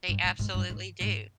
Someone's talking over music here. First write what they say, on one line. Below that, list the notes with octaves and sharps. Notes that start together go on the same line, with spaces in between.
They absolutely do.
G2
G#2
G#2
G2
G#2
G#2